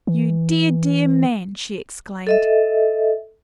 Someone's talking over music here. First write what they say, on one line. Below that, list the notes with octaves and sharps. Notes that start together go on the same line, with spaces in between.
"You dear, dear man!" she exclaimed.
E3
A4 D#5 E5